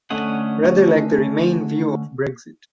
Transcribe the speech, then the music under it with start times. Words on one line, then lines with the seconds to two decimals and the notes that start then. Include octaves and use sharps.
Rather like the Remain view of Brexit.
0.10 D3 A3 C#4 D#5 F#5